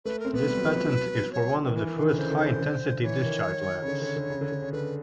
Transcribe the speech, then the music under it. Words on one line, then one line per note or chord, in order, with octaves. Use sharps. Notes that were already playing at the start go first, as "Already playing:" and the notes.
This patent is for one of the first high-intensity discharge lamps.
A3 B4
A#4
C4
B3 B4
G3
F#3
F3
F#3
C#5
D#3
E3 B4
A#4
D#3 B4
D3 B4
C#3 C5
D3
C#3
D3
E3 C#5
D#3
C#3
D3
D3
D3
C#3
D3
D3
C#3
D3 B4